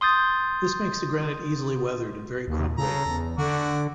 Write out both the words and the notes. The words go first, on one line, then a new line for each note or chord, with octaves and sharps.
This makes the granite easily weathered and very crumbly.
C6 D#6 G6 A6
D#2
C#3 A4 A#5
E2
D3 A3 F#4 D6